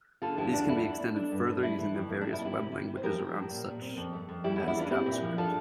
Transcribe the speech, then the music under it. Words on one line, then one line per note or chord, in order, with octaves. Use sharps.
These can be extended further using the various web languages around such as JavaScript.
D3 F4 A4
E2 E4 G4
E2 D4 F4
A3 E4
D4
D4
A3 D4
G2
D3
G3 E4
E3
F2
A#3
D4
C3 F4
E4
D4
E4 G4
C3
C3
C3
C5
F3 G4 A#4
F3
A2
A#2
A#2
C4
F2
A3
F2
G3 E4 G4
E4
E2
E4
E2 D4 F4
C4 E4 G4
A#2
F3
D4 F4 A4